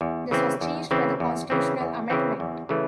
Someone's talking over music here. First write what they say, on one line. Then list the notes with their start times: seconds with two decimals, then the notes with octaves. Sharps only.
This was changed by constitutional amendment.
0.01 E2
0.31 C#3 E3 C4
0.61 E2
0.91 C#3 E3 C4
1.20 E2
1.50 C#3 E3 C4
1.81 E2
2.10 C#3 E3 C4
2.40 E2
2.69 C#3 E3 A3